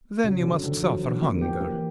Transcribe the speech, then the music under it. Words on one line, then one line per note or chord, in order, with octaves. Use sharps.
"Then you must suffer hunger."
C#3 F#3
C3
D3
C#3
D3 D#3
E3
F3 F#3
E3 D4
F3 A#3
F3 G4
F3 A#3
E3